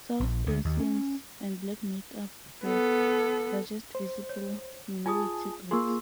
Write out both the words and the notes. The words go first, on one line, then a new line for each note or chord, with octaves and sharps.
South Asians and Black make up the largest Visible Minority Groups.
A#1
D2
D#2
C#4
B3 A4
C5
C#5
F4 G#4 G#5 A5 D#6
A#3 F4 G#4 C6 C#6 E6